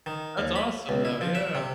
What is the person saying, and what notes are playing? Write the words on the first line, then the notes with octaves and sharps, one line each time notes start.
That's awesome, though. Yeah.
D#3
D#2
B5
C#2
E4
F3
E5
C3